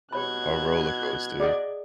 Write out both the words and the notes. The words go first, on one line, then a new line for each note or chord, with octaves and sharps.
a roller coaster.
B2 G4 C#5 B5 F#6 G#6
G#4 D5 D#5 F#5